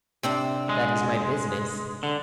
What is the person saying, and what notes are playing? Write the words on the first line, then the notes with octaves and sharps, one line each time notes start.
"That is my business."
C3 C4 D4
G#3
D3